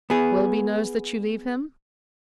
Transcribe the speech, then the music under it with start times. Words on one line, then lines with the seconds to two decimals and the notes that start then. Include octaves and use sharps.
"Willoughby knows that you leave him?"
0.10 B3 G#4